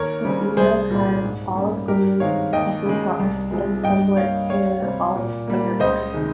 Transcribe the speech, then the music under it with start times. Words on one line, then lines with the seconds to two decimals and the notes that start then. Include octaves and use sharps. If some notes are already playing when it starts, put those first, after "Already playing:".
The female has olive-green upperparts, and somewhat paler olive underparts.
Already playing: D#2 A#4 C#5
0.25 C#3 G3 C4
0.57 C2 G#4 C5
0.90 A#2 G3
1.23 G#2
1.55 G3 A#3 C#4
1.87 G2 G4 A#4
2.20 D#3 G#3 C4 C#5 F5
2.53 D#2 D#5 G5
2.86 C#3 G#3
3.19 C2
3.51 C3 F3 G#3
3.83 G2 D#5 G5
4.16 G3 A#3 C#5 F5
4.49 C#2 C#5 F5
4.82 C3 G3 C4
5.15 A#2
5.47 G3 A#3
5.80 C#2 C5 D#5
6.13 C3 D#3 G#3